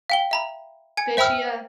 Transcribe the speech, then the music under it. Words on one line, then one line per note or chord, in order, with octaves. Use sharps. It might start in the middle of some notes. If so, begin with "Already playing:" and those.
Did she uh
F5 G5 G7
E5 A#5 B5
G#5 G#6 C#7
C5 E5 G5 B5 E6 F6